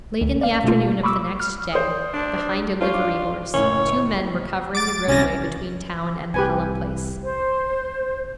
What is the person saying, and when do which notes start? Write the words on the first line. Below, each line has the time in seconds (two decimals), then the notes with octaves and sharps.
Late in the afternoon of the next day, behind a livery horse, two men were covering the roadway between town and the Hallam place.
0.21 D2
0.41 D5 F5
0.64 B2 A3 A#3 F4
1.03 B5 C#6 D6 E6
1.40 F6
1.73 C5 D5 D#6
2.14 D4
2.81 D4 F4 C5 C#6
2.94 D5 D6
3.54 F#1 A2 C#5
4.75 D6 A6
5.08 C2 C#4 A6 A#6
6.34 C2 G4 B4 G#5
7.24 C5